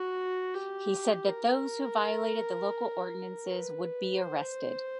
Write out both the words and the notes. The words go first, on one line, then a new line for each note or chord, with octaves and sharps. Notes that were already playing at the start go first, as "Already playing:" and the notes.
He said that those who violated the local ordinances would be arrested.
Already playing: F#4
G4
A#4
B4
C5